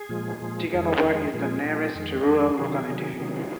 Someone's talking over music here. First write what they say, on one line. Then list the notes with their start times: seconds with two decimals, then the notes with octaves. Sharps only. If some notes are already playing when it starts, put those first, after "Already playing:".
Tiganovo is the nearest rural locality.
Already playing: G#4
0.09 A#2 F3 G#3
0.40 A#2 F3 G#3
0.71 F2 D#3 G#3 G#4
1.02 F2 D#3 G#3
1.33 A#2 F3 G#3 G#4
1.65 A#2 F3 G#3
1.95 F2 D#3 G#3
2.27 F2 D#3 G#3
2.58 C3 D#3 F#3 G#4
2.89 C3 D#3 F#3
3.20 C3 D#3 F#3